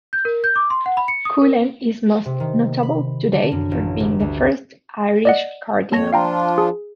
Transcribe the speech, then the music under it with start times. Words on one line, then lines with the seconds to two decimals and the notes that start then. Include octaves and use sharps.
Cullen is most notable today for being the first Irish cardinal.
0.13 G6
0.25 A#4
0.44 G6
0.56 D6
0.70 C6
0.86 F#5
0.97 B5
1.08 C#7
1.25 D#6
1.42 A#4
1.64 D7
2.26 C3
2.40 D#3
2.83 B5
3.33 D3
3.52 F#2
3.72 A1
4.00 G1
4.20 D2
5.25 D5 D#5 F#5
5.92 F2 A#3 C#5 A5 A#6
6.13 F3 D4 F4 F5 G5 A#5
6.58 G#4